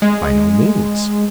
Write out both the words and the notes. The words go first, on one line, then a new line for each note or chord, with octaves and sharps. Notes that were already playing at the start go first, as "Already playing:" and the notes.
"By no means."
G#3